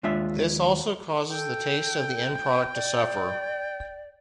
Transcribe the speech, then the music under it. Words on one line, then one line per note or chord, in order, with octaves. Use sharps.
This also causes the taste of the end product to suffer.
D#2 G#3 D4 F4 E5
A4 G5
D5